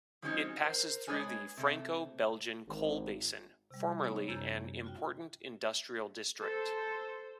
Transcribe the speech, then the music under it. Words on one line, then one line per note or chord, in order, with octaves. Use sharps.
It passes through the Franco-Belgian coal basin, formerly an important industrial district.
F3 F#3 G#3 C4 C#4 D#4
A#4 C5
G#3 D4 G#4 B4 C#5 G#5
C3 A3
G#1
C3 G3
B3 C#4 D#4 C#5 G#5
F#2 C3 A#5 G6 G#6
F4 F#4 G5
A4 C5